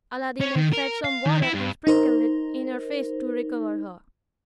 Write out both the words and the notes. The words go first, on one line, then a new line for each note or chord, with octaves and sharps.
Aladdin had fetched some water, and sprinkled it in her face to recover her.
C#4
D#3
A#4
F5
D#3
E4
G2
D#4 A#4 C5